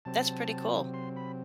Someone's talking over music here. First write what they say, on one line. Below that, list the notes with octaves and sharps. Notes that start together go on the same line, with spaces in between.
That's pretty cool.
C3 F#3 C4 A5
C6
B5